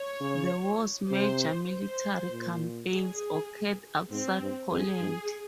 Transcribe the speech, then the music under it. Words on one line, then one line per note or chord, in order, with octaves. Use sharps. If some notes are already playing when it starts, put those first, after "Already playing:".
The war's major military campaigns occurred outside Poland.
Already playing: C#5
C#3
C3 C5
C5
A#2
G#4
G#2 C4
G2
F2 G#4
G2